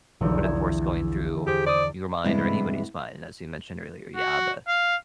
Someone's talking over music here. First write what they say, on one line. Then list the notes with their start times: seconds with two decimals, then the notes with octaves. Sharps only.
but, of course, going through your mind or anybody's mind, as you mentioned earlier, yeah, the
0.21 F1 B1 E2 D3
0.44 E5 G#5
1.47 G4 G#4 C5
1.66 C5 D5 D6 D#6
2.24 G2 C3 E3 G#3 B3 E4
4.16 F#4
4.68 F5